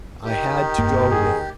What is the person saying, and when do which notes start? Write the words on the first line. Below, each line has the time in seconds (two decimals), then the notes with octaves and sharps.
I had to go there.
0.24 D#3 G4
0.78 F1 G2 A#3
1.10 G#4